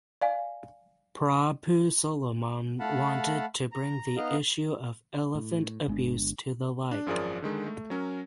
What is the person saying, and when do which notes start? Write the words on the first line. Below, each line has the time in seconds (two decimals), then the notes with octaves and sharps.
Prabhu Solomon wanted to bring the issue of elephant abuse to the light.
0.21 D5 F5 G#5
2.80 A3 F5 F#5 A5 B5
3.72 A#5
4.17 B3 D#4 D#5 F5 A#5
5.35 A2
5.88 G1 G#3 B3 D4
6.91 D4
7.06 G#1 F#2 F3 G#4 A#4 D5
7.42 D3 D#3 G#3
7.66 A3
7.90 F#3 C#4 A#4